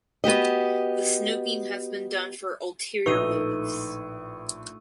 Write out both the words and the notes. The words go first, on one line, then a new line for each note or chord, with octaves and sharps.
The snooping has been done for ulterior motives.
B3 F#4 G4 D#5
A#1 A2 A3 D#4 B4 C#6 E6 D#7